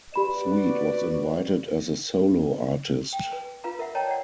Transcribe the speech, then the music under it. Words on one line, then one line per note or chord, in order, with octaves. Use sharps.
Sweet was invited as a solo artist.
F#4 G4 B4 D5 B5 E7
G5
B4 G#5
F4 B4 F5 A#5
A#4 E5 F#5
C#5 D#5 G5 A5 A#5
D5 F#5